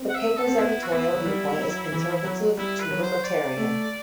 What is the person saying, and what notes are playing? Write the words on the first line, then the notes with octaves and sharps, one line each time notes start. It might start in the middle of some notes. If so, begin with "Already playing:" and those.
The paper's editorial viewpoint is conservative to libertarian.
Already playing: C4
F#5
E5
A4
C4
B3 E4
F#4
B3 E4
F#3
G3
F#3
E3
F#3
G3 E4
B4
F#3
C5
D5
A3